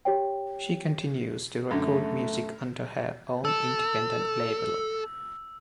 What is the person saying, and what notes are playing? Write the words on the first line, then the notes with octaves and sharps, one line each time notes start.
She continues to record music under her own independent label.
G4 C#5 G5
F#2 D3 A3
A4 E6